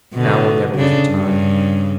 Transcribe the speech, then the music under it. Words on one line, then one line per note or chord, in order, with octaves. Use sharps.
Now or never was the time.
B2 D3
C#3 D4
G2 C#3